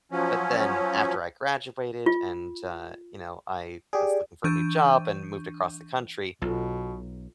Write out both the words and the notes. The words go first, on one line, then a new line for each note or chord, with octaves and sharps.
but then after I graduated, and, uh, you know, I was looking for a new job, and moved across the country,
F3 F#3 C#4
F4
G4 G#4 D5
E3 D4 C#6 G6 D#7
B1 B2 F4 A4